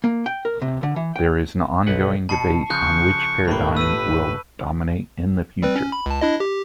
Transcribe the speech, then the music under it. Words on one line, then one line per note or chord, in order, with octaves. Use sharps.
There is an ongoing debate on which paradigm will dominate in the future.
A#3
G5
A#4
C3
D3
E3
G5
B1 B4 F#5
B2 A5 C7 C#7
C#3 F3 C#6 F#6 G6
G1 A2 A#3 B5 C#6
B4 E6 D#7
G3 C4 B4
C#4
B5
C#2 A5
D4 E4 D#5
G4